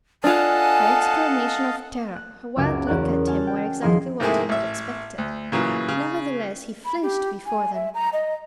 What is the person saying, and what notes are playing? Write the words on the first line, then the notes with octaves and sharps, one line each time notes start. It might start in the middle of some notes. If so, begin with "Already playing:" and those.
Her exclamation of terror, her wild look at him, were exactly what he had expected; nevertheless, he flinched before them.
D4 F4 A4 D#5 F5 F#5 G#5 A5
F#6
F#1 C#2 F#4 E5 D6 G#6
E2 C#4 F#4 A#4 D5 F#6
F#4 F#5 G#5 A5 F6
G5
D#1 F3 E4 G#4 D#5 C6
G#2 C3 A3 A#3 E4 G#4
A1 E5
D2
A#2 C#3 E3 F#3
C#3
B5
G4
G#5
E5
A#5
D#5